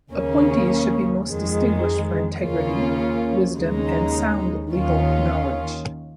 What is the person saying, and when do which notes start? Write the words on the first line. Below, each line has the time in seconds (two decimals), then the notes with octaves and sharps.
Appointees should be most distinguished for integrity, wisdom and sound legal knowledge.
0.10 D#2 C#3 A#3 C#4
1.26 F2 D#3 G#3
2.41 D#2 C#3 A#3 C#4 F4
3.57 D#2 C#3 G#3 D#4
4.73 D#2 D#3 C#4 F4